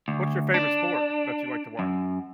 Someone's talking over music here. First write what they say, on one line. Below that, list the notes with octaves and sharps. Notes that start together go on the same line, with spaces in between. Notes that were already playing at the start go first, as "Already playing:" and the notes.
What's your favorite sport that you like to wat
D2
D4
F#2